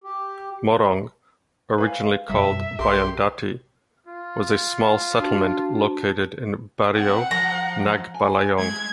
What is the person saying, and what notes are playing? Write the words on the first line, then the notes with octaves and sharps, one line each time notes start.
Morong, originally called "Bayandati", was a small settlement located in Barrio Nagbalayong.
G4
B4 F5 G#5
F#2 B2 F#3 G3 E5
B1 G4 A#4 C6
F4
D4 F#4 A5
C5 F#5 G5
F3 A#5
G#5
G#3 G#6